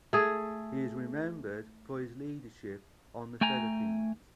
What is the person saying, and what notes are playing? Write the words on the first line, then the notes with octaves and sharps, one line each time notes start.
He is remembered for his leadership on the Philippines.
A3 G#4
A3 G5 G#5 A#5